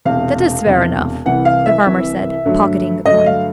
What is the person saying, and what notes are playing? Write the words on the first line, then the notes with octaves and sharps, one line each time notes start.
"That is fair enough," the farmer said, pocketing the coin.
E1 E2 C3 F5
E1 E2 C3
C2 C3 E3 F#5
F5
E5
C2 C3 E3
G2 D3 F#3 A3
G2 D3 F#3 A3 D#5
F5